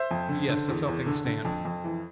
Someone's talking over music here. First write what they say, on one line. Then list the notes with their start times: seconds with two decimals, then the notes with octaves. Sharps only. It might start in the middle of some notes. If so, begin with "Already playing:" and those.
"Yes--that's how things stand."
Already playing: C5 E5
0.11 F2
0.29 D3
0.49 D3
0.68 E2
0.87 E2
1.06 D3
1.25 D3
1.45 F2
1.65 F2
1.84 E3